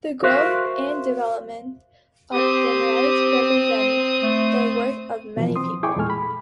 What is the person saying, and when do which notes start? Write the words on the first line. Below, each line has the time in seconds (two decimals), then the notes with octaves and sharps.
The growth and development of genetics represents the work of many people.
0.23 F#4 A#4 C5 E5 F5
2.33 C4 G4 D#6
4.23 A3
5.37 B2 E3 F3
5.56 C4 C6 D#6
5.83 E4 G#4 G5 G#5 C#6 D6
5.96 E2 A#2 G#3 A4 G#5 F6
6.10 B5